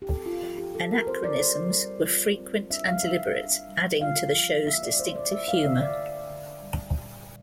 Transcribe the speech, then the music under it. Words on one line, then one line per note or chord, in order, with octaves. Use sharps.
Anachronisms were frequent and deliberate, adding to the show's distinctive humour.
G4
C4 A4
F4
F3 F4
G4
F3 A4
A#4
C4 C5
D5
G3 C5
G3
F4
C4
D4 E5
F5
G3 E5
D4
G3
F4 F5
F3
A#3 E5
D5
F3 C5
D5
A3 E5
F5
A3 E5
D5
D3
D3
G3
A#2